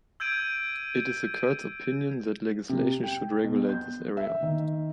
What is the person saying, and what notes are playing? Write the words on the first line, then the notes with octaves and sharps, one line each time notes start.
It is the Court's opinion that legislation should regulate this area.
E6 G6 G#6 D7 D#7
C3
G5
B2
G6
E5
D#3